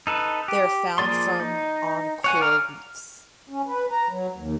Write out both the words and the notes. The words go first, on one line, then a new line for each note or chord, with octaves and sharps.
They are found from on coral reefs.
D#4 A4 B4
G4
F3 A#3 G#4 D5 C6
D#4
C#5 F#5 G#5
D5 F5 A#5 F6
C#4
B4
A#5
F#3
D#2